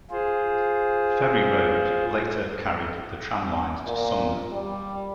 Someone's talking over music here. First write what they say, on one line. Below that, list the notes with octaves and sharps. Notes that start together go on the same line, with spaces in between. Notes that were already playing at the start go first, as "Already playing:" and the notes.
Ferry Road later carried the tramlines to Sumner.
F4 G#4 C5
A#2
G3